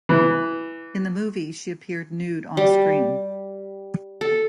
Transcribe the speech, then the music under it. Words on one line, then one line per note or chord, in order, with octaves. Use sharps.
In the movie, she appeared nude on-screen.
E3
G3
A4